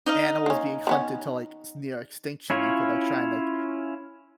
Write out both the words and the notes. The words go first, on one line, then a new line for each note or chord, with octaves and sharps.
animals being hunted to, like, s near extinction, you could, like, try and, like,
D#4 D#5 F5
A#3 C#4
D#3 B3 C#4
C#4 E4 F4 C#5